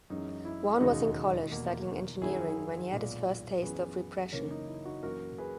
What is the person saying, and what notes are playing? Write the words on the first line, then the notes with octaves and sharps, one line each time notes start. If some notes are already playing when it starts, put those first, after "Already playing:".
Wan was in college studying engineering when he had his first taste of repression.
F#2 E3 G#3 D#4
E4
E1 D#2 C#3 G#3 D#4 F#4
E2 B2 A#3
F#2 D#3 F#3 C#4 E4 G#4
B1 A#2 G#3 B3
F#2 E3 B3 G#4 B4
F#1 F#2 C#3 E3 A#3 A#4 C#5
D#4
E4
D#4 F#4
F#2 E3 A#3 F#4 A#4
G#4 B4